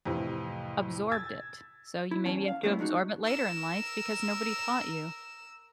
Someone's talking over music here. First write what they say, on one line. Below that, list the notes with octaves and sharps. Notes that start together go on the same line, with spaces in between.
absorbed it? So you maybe have to absorb it later in life because nobody taught you.
F2 A2 C3 E3
E6 G#6 A6
E4
E2 C#4 A5
F5
G#3 A3 B3 C#4 E4 G#4
G#3 D4 D#4 F#4
A#4 E6